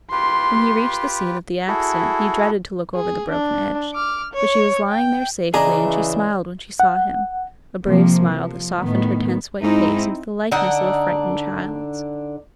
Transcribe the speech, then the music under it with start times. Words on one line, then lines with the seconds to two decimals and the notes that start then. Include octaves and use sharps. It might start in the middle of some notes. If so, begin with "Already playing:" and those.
When he reached the scene of the accident he dreaded to look over the broken edge, but she was lying there safely and she smiled when she saw him--a brave smile that softened her tense white face into the likeness of a frightened child's.
0.12 F4 G4 B4 C6
1.68 E4 F#4 G#4 A4
2.95 G#4
3.30 D4
3.94 D6 F6
4.33 C#5
4.89 G5
5.54 C#3 E3 D4 G#4 D#5 A#5
6.80 F#5
7.87 C3 F3 A#3
8.33 F3
8.80 A2 D#3 B3
9.63 G#2 C4 D#4 E4
10.51 D3 D4 D#4 F#5